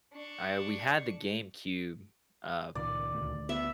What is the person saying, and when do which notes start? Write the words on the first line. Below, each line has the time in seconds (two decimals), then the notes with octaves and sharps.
I we had the GameCube, uh
0.13 D4 C#6
2.75 C#2 A#2 D#3 D5
3.14 D2
3.49 B3 E5